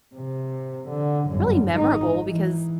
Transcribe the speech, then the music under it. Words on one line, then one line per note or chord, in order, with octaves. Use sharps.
really memorable, because,
C3
D3
G1 F#2
G#1 D#4
E3